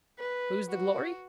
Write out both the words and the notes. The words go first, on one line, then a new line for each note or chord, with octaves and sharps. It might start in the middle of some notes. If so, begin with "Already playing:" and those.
Whose the glory?
B4
F#4